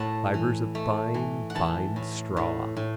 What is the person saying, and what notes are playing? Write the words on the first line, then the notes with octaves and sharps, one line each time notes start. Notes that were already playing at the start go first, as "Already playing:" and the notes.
Fibres of fine fine straw.
Already playing: A2 F#5 A5
E3
A3
E3
F#5
E3 A5
A2
A2
A2